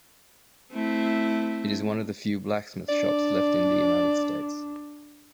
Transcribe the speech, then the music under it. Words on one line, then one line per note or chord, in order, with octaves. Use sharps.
It is one of the few blacksmith shops left in the United States.
A3 C4 E4
D4 D5